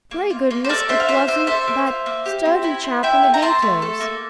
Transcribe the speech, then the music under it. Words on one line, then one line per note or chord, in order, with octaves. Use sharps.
Pray goodness it wasn't that sturdy chap in the gaiters!
A#3
F4
A#3
C5
A4 A#4 D5
D4 C5 E5
F5
F4 C5 E5
D4 C5 E5
A4 C5 E5
A#3
F4
A#3
G4
C4
E4
C4
E4 E5 G5
A3
A#5
C4 A5 C6
A3
A4
A#3